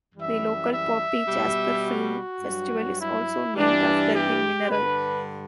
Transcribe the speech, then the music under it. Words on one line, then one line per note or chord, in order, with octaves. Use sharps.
The local Poppy Jasper Film Festival is also named after the mineral.
F#2 E3 G3 E5
E5
B2 G3
F#4
G2 F#3
E4
G2 E3 G3 D4
G4
G2 D3 G3 B4